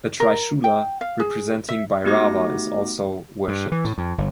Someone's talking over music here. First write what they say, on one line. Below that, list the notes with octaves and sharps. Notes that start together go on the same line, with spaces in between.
A trishula representing Bhairava is also worshipped.
A#4
G5
F5
G#4
E5
A3 B3 D#4 F#4 G4 A#6
G2
E3
A2
F2
G1